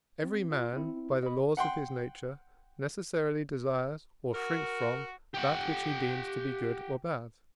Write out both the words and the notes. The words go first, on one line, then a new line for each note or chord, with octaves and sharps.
Every man, by the laws of his nature, necessarily desires or shrinks from that which he deems to be good or bad.
C4
F4
C4 E4
D#5 B5
F#5 G5 C6
F#4 A#4
G4 F#5